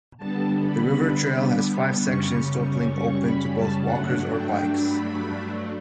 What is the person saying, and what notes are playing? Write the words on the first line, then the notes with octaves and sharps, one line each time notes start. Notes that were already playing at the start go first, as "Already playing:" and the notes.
The River Trail has five sections totalling open to both walkers or bikes.
D3 G3 B3 A5
B5
F#2 C#3 G3 C#4 C#6
C#6
C#6
B5
A5
G2 F#3 A3 D4 F#5
G5
B5